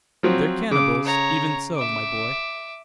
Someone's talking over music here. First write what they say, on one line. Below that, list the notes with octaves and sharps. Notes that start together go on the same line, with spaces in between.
"They're cannibals even so, my boy."
F3 F#3 C4
C#3 D6
C#5 A#5
E5 D6